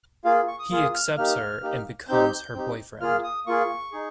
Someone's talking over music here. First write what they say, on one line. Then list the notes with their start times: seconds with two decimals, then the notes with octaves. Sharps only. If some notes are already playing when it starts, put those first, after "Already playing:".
He accepts her and becomes her boyfriend.
0.25 A#3 F4 G#4 F5
0.48 C#6
0.59 D#6
0.70 A#3 F4 G#4 D#6
0.94 F6
1.17 A#3 D#4 G4 F6
1.63 A#3 D#4 G4
2.08 C4 D#4 G4 G6
2.54 C4 D#4 G4
3.00 A#3 F4 G#4 F6
3.24 D#6
3.46 A#3 F4 G#4 C#6
3.92 D#4 G#4